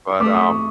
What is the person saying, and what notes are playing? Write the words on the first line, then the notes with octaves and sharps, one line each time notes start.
But, um
A3 D6
D#6
C#6